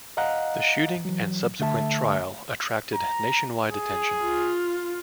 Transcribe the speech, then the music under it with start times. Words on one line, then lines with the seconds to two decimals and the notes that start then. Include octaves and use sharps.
The shooting and subsequent trial attracted nationwide attention.
0.17 D#5 F5 F#5 A#5 F#6
1.05 E3 F#3
1.60 D3 A3 E5 A5
2.95 A#5
3.71 G#4
4.22 F4